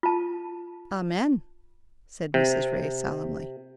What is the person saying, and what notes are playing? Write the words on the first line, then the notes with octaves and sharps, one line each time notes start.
"Amen!" said Mrs. Ray, solemnly.
F4 A5
C3